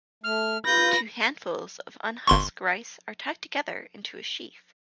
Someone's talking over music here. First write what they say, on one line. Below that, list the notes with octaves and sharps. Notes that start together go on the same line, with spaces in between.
Two handfuls of unhusked rice are tied together into a sheaf.
A3 F6
F4 B4 B5 G6 A#6
G1 C6 C#6